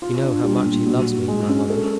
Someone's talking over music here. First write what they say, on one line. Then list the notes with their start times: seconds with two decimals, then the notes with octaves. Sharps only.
You know how much he loves me, my mother.
0.02 F4
0.22 D4
0.43 G3
0.65 A#2
0.86 F#3
1.06 F#4
1.28 G#3
1.49 C#4
1.70 A4